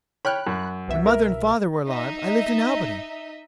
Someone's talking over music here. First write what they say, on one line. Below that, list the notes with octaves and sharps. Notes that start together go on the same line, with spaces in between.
When mother and father were alive I lived in Albany.
C#5 G5 B5 F6 F#6
F#2
C2 B2 E5
A#4
D#4 D#5 E5